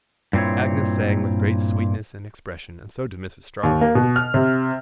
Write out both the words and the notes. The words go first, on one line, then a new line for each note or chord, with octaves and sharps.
Agnes sang with great sweetness and expression, and so did Mrs. Strong.
G2 A#2 C4 E4 C#5
D#2
A#3
B2
F6
C3